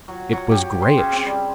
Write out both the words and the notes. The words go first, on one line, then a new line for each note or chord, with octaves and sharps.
It was grayish.
F#3
F#3
G4
C6
C#3
C4
G3